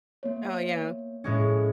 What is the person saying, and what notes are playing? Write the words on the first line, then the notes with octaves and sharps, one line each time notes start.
Oh, yeah.
A#3 B3 C#5
A2 G#3 C#4